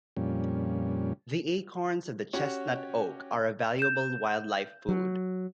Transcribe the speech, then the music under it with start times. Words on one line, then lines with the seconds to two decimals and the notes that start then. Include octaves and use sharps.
The acorns of the chestnut oak are a valuable wildlife food.
0.17 F2 A#2 G3 C#4
2.33 C#4 F#4 G4 C#5
3.79 G6 E7
4.89 F#3